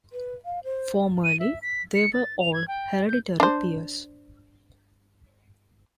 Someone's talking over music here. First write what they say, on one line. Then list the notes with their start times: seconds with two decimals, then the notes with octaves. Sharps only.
Formerly, they were all hereditary peers.
0.12 B4
0.45 F5
0.64 C5
1.24 D#7
1.40 E5
1.62 B6
1.95 C#7
2.14 A6
2.40 F7
2.54 G#6
2.68 G5
3.08 G6
3.40 D4 C5